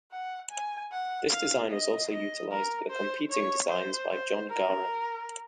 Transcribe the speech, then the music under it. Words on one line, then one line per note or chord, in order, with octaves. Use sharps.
This design was also utilized for the competing designs by John Garand.
F#5
G#5
F#5
F5
D#5
D#5
A#4
C5
C#5
C5
C5
A#4